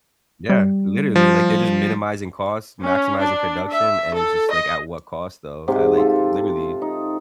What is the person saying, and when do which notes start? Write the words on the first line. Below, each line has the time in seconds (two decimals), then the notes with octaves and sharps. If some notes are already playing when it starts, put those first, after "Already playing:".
Yeah, literally, like, they're just minimizing costs, maximizing production, and it's just, like, at what cost, though? At, like, literally
0.49 G3
1.16 F3
2.84 C#4
3.22 D4
3.72 E5
4.16 A4
4.52 D#5
5.68 G#2 C3
5.97 F4 A4
6.82 D#4